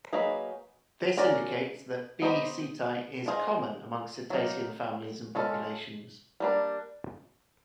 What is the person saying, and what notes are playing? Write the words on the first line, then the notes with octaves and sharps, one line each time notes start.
This indicates that "B. ceti" is common amongst cetacean families and populations.
F#3 A#3 D#4 G#4 B4
C#4 F#4 A#4 D5
B3 D#4 G4 C5 D#5
D4 F4 G#4 C5 D#5
F#3 A#3 D#4
G#3 C#4 F4 A4
G3 A#3 D4